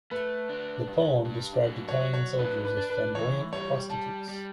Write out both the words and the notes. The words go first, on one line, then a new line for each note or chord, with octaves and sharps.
The poem described Italian soldiers as flamboyant prostitutes.
A3 B4
D4
G2
D4
F#3
C#5
F#3
C#5
D4 B4
B4
D4
B4
E3 C#5
G3 C#5
G3 A5
G3